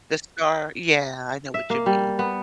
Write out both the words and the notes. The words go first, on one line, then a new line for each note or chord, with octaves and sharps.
the star Yeah, I know what you mean.
E5
A#3
G3
B3